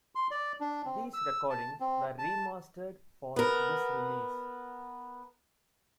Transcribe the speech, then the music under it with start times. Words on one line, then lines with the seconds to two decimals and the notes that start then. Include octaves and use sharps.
These recordings were remastered for this release.
0.15 C6
0.31 D5
0.60 D4
0.85 C4
1.14 E6
1.50 A5
1.80 C4
2.19 A5
3.36 B3 A#4